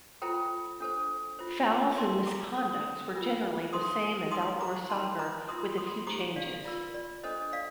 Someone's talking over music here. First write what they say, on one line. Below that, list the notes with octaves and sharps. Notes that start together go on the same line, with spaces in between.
Fouls and misconducts were generally the same as outdoor soccer with a few changes.
F4 A4 C5 G5 A#5
D4 A4 C5
F4 C5
D#4 A#4 A5 C6
A#5 D6
D4 A4 C5
D4 F4 A#4
D#4 A4 C5 C6 D#6
D#4 A#4 C6 D#6
A#5 D6
D#4 A#4 A5 C6
A#5 D6
F4 A#4 C6 D#6
C6 D#6
D#4 G4 C5 A#5 D6
D5 F5
F4 A#4 D5
D5
D4 A4 C5 D#5
D5 F5